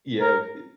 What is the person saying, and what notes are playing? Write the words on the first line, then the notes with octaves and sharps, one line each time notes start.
Yeah, th
A#4